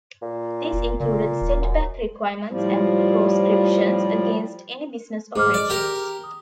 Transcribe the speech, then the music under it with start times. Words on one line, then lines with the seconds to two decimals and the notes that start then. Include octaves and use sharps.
These included setback requirements and proscriptions against any business operations.
0.22 A#2
0.73 F1
1.00 A#2 C#3
1.41 D#1
1.61 F#2
2.49 A2 F3 G3
5.36 G#2 G#4 D6 F6
5.54 D5
5.70 G4 A#4
6.24 D#6